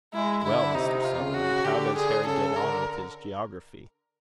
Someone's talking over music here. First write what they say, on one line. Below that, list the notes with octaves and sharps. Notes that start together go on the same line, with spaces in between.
"Well, Mr. Sutherland, how does Harry get on with his geography?"
G#3 E4
D3 E4
C3 D#4
F4
C#3
F#4
D3 G4
D3 G#4
C#3 A4
D3 A#4